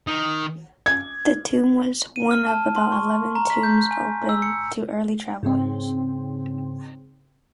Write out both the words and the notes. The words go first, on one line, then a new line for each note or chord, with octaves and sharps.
The tomb was one of about eleven tombs open to early travelers.
D#3
G#6
D#7
F6
A5
C6
C#6
A#5
B6
G6
G#5
E6
C#7
G#2 C#3 C4